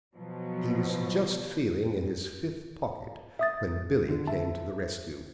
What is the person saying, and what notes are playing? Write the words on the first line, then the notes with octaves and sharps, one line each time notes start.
He was just feeling in his fifth pocket when Billy came to the rescue.
B2 F3 F#3
E5 D#6 A6
D3
E5 A5